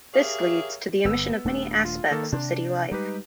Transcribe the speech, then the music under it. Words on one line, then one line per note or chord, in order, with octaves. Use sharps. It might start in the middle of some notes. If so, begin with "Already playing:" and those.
This leads to the omission of many aspects of city life.
G4 G#4 A#4 C#5 E5 F5
G1 B3 E6
D#1 A3 D4
F4
D#3 A#3 A4
C3 D4
G3 G#3 D#4 G4 B4